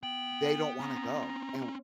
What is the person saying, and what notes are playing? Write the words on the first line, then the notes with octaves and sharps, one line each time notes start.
"They don't wanna go, and w
B3 G5 F#7
C4 C#4 A#5